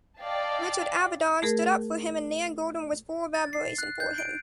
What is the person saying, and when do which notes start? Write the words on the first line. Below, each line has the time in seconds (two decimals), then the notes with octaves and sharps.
Richard Avedon stood up for him and Nan Goldin was full of admiration for him.
0.19 D5 D#5 F5 G5 A5
1.42 A3 G#4 A#4
3.34 A6
3.53 C7
3.78 F#6
4.00 G6
4.18 D7